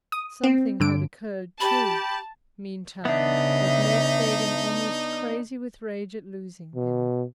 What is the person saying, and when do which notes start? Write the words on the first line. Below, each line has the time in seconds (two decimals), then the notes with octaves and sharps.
Something had occurred, too, meantime, that made Fagin almost crazy with rage at losing him.
0.12 D#6
0.44 C4
0.80 G2 D3 D7
1.60 G4 A5 B5
3.05 C#3 B3 D4 D#4 E5
6.76 B2